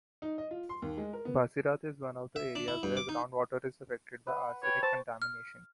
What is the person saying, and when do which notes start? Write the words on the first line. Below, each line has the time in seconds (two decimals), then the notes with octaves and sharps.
Basirhat is one of the areas where ground water is affected by arsenic contamination.
0.22 D#4
0.38 D#5
0.51 F4
0.69 C6
0.82 D#2
0.97 G#3
1.13 A#4
1.25 B3
2.36 E5
2.55 D4
2.68 E4
2.83 G2
2.97 D6
3.09 D#4
4.27 B4 F#5
4.63 B4 C#5 G5
4.83 C5 A5 C#6
5.22 F6